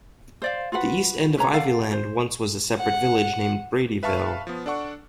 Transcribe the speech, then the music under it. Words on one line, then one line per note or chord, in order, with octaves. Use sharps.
The east end of Ivyland once was a separate village named Bradyville.
C5 D5 F5
F4 F#4 B4 F#5
C#4 B4 C#5 A#5
A4 D5 F5 F#5
C5
F#5
B4 E5 F5 A5 C#6 F6
F3 B3
D4 A4 D5 F#5 C#6